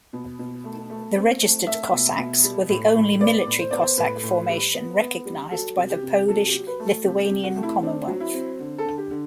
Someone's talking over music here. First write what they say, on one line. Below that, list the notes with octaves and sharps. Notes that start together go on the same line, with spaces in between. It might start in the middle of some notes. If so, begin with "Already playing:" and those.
The registered Cossacks were the only military Cossack formation recognized by the Polish-Lithuanian Commonwealth.
B2
B2
A3
A3
C4
A3
A3 E5
B2
B2
G3
A2
A2
B3 D5
A2
C5
B3 D5
C5
A2 B4
A2
G3
B3
B3
G3
F#3 A4
C3
G4
C3
F#3 A4
G4
F#3
B4
A3
A4
C3 G4
G4
C3
F#4
A3
E4
C4 D4
F#3
E4
C4
D3
A4
D3
G4
D3